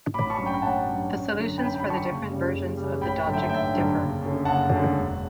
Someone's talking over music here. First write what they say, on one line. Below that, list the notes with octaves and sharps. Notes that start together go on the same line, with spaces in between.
The solutions for the different versions of the Dogic differ.
A1 B5 D6
A5 C#6
G2 F#3 C#4
G5 B5
A1 F#5 A5
G2 F#3 C#4
F#2
D3 F#3
F#2 G5 B5
G5 B5
D3 F#3
A5 C#6
F#1
F#2 C#3 G3
F#1
F#2 C#3 G3
A1 G5 B5
G2 D3 F#3
E5 G5
A1 E5 G5
G2 D3 F#3
F#1
F#2 D3
F#1 F#5 A5
F#2 D3
E1